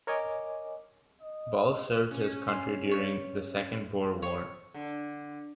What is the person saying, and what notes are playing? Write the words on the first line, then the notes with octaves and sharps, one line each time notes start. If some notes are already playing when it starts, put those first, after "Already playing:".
Ball served his country during the Second Boer War.
A#4 C#5 D#5 G#5 D6
D#5
C#4
C6
C#5
F2 C#5
D3